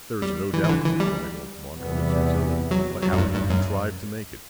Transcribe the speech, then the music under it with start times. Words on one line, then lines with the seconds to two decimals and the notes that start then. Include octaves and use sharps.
"There is no doubt," replied Altamont, "of its utility; but how would you contrive to make it?"
0.22 G3
0.53 E3
0.64 E3
0.69 D3
0.85 E3
1.00 G3
1.78 E2 C3 E3 G3 B3
2.71 F#3
3.03 F#3
3.13 F#2
3.18 G2
3.34 G2
3.50 F#2